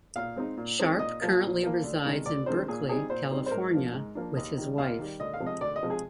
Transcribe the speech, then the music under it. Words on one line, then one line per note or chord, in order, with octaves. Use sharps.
Sharpe currently resides in Berkeley, California with his wife.
A#2 F5
G#3 C4 D#4
A#2
G#3 C4 D#4
A#2 D#5
F3 A#3
A#2
F3 A#3
D2
C3 D#3 G#3 D4
D2 D5
C3 D#3 G#3 D4 C5
A#2 G#4
G3 C4 D#4 G#4
A#2 C5
G3 C4 D#4
C5
G#2 A#4
F3 A#3 D4
G#2
F3 A#3 D4
D#2 D#5
D#3 G3
D#2 F5
D#3 G3
D2 D#5
F5
C3 F3 G#3
D#5
D2 D5
D#5
C3 F3 G#3
G#4